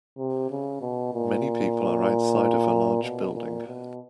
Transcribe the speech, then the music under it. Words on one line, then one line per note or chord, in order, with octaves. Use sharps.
Many people are outside of a large building.
C3
C#3
B2
A#2
B2
A#2
B2